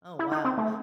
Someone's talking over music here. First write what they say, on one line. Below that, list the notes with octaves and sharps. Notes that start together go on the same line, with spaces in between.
Oh, wow.
E4
D#4
C4
A3